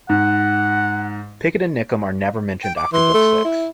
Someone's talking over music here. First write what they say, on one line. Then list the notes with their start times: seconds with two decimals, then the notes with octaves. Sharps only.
Picket and Nickum are never mentioned after book six.
0.09 G#2 F#5
2.63 G5
2.76 D6
2.93 E3 C6
3.14 A3
3.45 E4